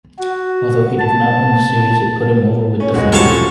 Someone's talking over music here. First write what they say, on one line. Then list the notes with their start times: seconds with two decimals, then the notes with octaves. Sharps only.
Although he did not win the series, it put him over with the fans.
0.19 F#4
0.99 A5
2.80 C#4
2.94 E2 B2 G#3 F#4
3.12 F#2 C3 F3 A4 C#5 A5